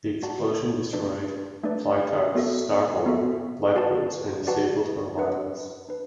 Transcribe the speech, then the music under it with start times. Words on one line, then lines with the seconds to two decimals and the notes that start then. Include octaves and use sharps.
The explosion destroyed "Blitar"s starboard lifeboats and disabled her wireless.
0.23 F#4 D5 F#5 A5
0.93 A3 D4 B4 D5
1.63 A3 D4 B4 D5
2.35 B3 F#4 A4 E5
3.06 B3 F#4 A4 E5
3.76 F#4 B4 D5 F#5 A5
4.47 F#4 B4 D5 F#5 A5
5.18 D4 B4 F#5
5.89 D4 B4